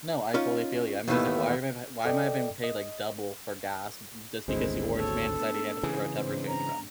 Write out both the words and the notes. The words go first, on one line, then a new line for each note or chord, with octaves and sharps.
No, I fully feel you. I'm just like, why am I why am I being paid, like, double for gas just because the orange man decided he had to throw a temper tantrum?
C#4 D#4 F4 F5
D#2 A2 D#3 E3 A3 B3
A4 D5 D#5 G5
D#5
G#1 D2 G#3 B3 C4 D4 E4
A#3 F#4 A4 C#5
A3 B3 D4
C#3 E3 G#4
G#2 C4 D4
A#5